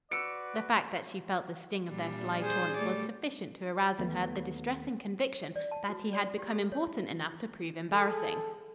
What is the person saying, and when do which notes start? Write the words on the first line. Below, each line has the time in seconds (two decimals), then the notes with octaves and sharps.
The fact that she felt the sting of their sly taunts was sufficient to arouse in her the distressing conviction that he had become important enough to prove embarrassing.
0.11 F#4 B4 D5 E6 C#7 D7
1.88 A#2 G3 D4
2.41 G#4 C5
2.77 G3 A3 D5
3.99 D#2 A3 B3
5.56 D5
5.71 A5
5.89 F#4
6.13 D5
6.38 G4
6.51 A4
6.72 C#5
7.94 G#4 A4